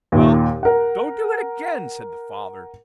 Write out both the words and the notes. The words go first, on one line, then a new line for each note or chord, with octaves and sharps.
"Well, don't do it again," said the father.
D#2 A#2
A#4 F#5